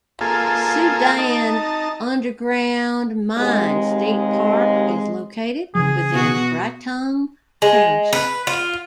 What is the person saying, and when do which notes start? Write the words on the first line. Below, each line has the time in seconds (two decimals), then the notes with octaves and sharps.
Soudan Underground Mine State Park is located within Breitung Township.
0.21 A#3 F4 G#4 A4
1.18 D#4 A5
3.37 D#2 C3 G#3
5.75 C#3 E3 F#3 G#4
6.11 B2 F#4
7.62 G#3
8.13 B4
8.47 F4